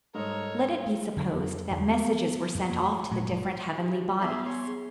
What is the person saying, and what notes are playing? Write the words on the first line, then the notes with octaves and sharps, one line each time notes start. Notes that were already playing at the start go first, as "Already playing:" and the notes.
Let it be supposed that messages were sent off to the different heavenly bodies.
G#2 G3 A4 A#4 C#5 D#5
F2 D3 F#3
E2
B3
F2
A#3
F#1 A#2 F#3 G#3
G4
B3 G#4 E5 C6
C#5 C6
G#4